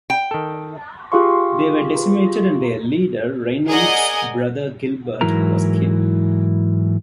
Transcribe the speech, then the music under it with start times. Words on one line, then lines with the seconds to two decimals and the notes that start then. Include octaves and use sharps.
They were decimated and their leader, Rainulf's brother Gilbert, was killed.
0.10 G5
0.31 D#3 A4
1.12 F4 G4 G#4 F5 C6 C#6
3.69 G#4 A#4 D5 D#5 F#5 G#5
5.21 G#2 E3 F#3 E4 A#4 A#5